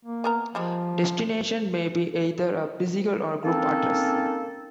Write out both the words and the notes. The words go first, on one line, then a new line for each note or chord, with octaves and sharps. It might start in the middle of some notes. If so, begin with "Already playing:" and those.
Destination may be either a physical or group address.
A#3
B3 A#4 A#5
F3 G3 G#3
A#3 C4 C#4 D#4 A4